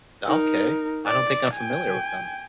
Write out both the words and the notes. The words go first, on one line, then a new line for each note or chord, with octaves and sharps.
Okay. I don't think I'm familiar with them.
D#4 A#4
D5
G5 G#5